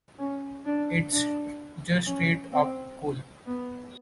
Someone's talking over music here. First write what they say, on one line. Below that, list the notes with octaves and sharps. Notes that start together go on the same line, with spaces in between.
It's just straight-up cool.
C#4
D4
D4
C#4
C4
B3